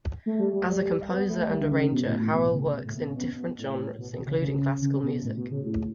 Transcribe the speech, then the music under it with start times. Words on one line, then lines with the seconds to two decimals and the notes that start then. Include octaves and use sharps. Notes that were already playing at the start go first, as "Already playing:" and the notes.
As a composer and arranger, Harrell works in different genres, including classical music.
0.26 A3
0.39 G3
0.53 G3
0.67 G3
1.09 B3
1.29 A3
1.50 G3
1.61 D3
1.71 C#3
1.92 B2
2.05 A2
2.19 A2
2.33 B2
2.54 C#3
2.74 B2
2.85 A2
2.96 B2
3.06 C#3
3.16 B2
3.37 B2
3.58 A2
3.98 B2
4.13 B2
4.27 C#3
4.40 C#3
4.81 C#3
5.03 B2
5.23 A2
5.37 B2
5.51 C#3
5.65 A2